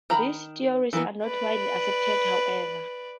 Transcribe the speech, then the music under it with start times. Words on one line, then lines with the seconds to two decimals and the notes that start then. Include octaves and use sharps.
These theories are not widely accepted, however.
0.10 D#3 A#5 B5
0.93 E3 A#3 B3
1.26 B4 D5